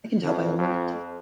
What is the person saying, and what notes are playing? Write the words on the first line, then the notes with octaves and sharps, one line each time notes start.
I can tell by your loyalty.
F2
F2